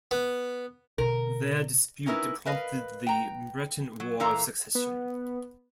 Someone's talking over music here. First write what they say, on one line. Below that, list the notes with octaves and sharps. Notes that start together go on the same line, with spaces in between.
Their dispute prompted the Breton War of Succession.
B3
B2 D3 A#4
C#4 D#4 E4 A#4 B4
A#4 B4 D#5 F5
G5 A#5
F#3
A#2 E3 A4 A#4 F5 A#5
B3